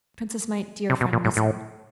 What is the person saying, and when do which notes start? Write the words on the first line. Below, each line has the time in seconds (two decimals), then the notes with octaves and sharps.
Princess, my dear friend, listen!
0.90 C3
1.01 B2
1.13 A#2
1.25 A2
1.37 A2